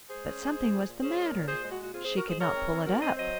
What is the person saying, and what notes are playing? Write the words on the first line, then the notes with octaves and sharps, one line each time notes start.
But something was the matter; she could not pull it up.
G#3 G#4 C5
C#4
G#3
C#4
A#2
A#2
C#4 G#4 C5
G#3
A#4 C#5
A#2
A#2 G#4 C5
G#3
F#4
A#2
F#4
C4 F4 G#4
G#2 G#4 C5
F#4 A#4
G#2 G#4 C5
G#2 A#4 C#5
C4
C4
G#2 F#4 A#4
C4 C5 D#5
F#3 C5 D#5